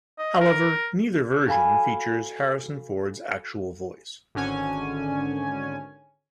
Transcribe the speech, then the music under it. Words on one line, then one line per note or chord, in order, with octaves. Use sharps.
However, neither version features Harrison Ford's actual voice.
D#5
A#4
F#4 A4 F5 G#5 B5
G#1 D3 C#4 G#5